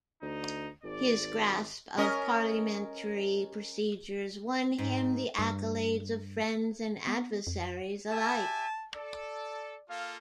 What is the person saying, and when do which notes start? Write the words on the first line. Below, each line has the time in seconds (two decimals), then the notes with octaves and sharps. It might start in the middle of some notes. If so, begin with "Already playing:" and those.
His grasp of parliamentary procedures won him the accolades of friends and adversaries alike.
0.22 D2 D#4
0.84 G#1 D5
1.97 C#4 A#4 D#5
4.78 G#2
5.38 G2
7.07 B3
7.47 F2
8.11 G4 E5 G#5 A5
8.95 A4 D5
9.89 A#3 F4 A4 F5